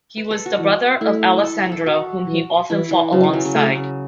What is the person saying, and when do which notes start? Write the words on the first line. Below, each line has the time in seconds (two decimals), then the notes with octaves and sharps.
He was the brother of Alessandro, whom he often fought alongside.
0.17 B4
0.31 A4
0.46 F#4
0.59 E3
1.01 A3 E4
1.44 A4
1.58 A4
1.72 A4
1.86 F#4
2.28 E3
2.70 E3 E4
2.91 E3
3.12 C#3 F#3
3.24 E3
3.34 F#3
3.45 C#3
3.55 C#3 A3